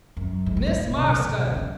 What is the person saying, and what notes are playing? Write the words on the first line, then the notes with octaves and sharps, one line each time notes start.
"Miss Marston!"
F#2
G#2
A2
G#2
A2
B2
A2 C#3
B2
B2
A2
D#3
C#3